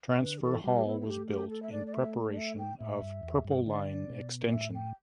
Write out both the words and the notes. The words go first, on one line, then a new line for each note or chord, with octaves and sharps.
Transfer hall was built in preparation of Purple Line extension.
D3 B4
G4
E3 A4
G3 G4
G4
B3 E4
E4
A3 G4
G4
A4
E5
D5
D5
E5
D5
E5
G5
A2 E5
G2
E2
G2
D3 D5
B2
D5
A2 E5
G5